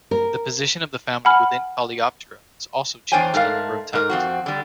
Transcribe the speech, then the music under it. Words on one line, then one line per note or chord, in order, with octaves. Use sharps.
The position of the family within Coleoptera has also changed a number of times.
A#4
F#5 G#5 B5 F6
E2 D4 C5 C#5 G5 G#5
G#2 A3 A#4 F5
G#2 A#4
F2 C4 F#4
D3 G3